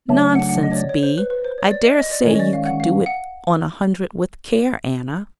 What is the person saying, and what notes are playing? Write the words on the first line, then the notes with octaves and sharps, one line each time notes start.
'Nonsense, Bee! I dare say you could do it on a hundred with care, Anna.'
C#3 F#3 A3 D4
F#5
F#5
D#5
C#5
D5
C#5
C5
B4
B4
C5
C#5
D5
D#5
D#5
D5
D#3 G#3 C#4 C#5
D#5
D5
F5
F#5
F5
F#5